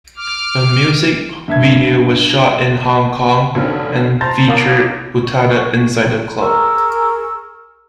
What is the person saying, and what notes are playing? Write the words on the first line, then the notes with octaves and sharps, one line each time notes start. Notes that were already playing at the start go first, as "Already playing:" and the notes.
A music video was shot in Hong Kong, and featured Utada inside a club.
D6 F6
G2 E5 G#6
F1 B1 D3 D#3 C4 F6
C5 A5 A#5 G6 A6 A#6
B1 B3 A#4 F5 D6 D#6
C#6
G#4 A#4 C#6 E6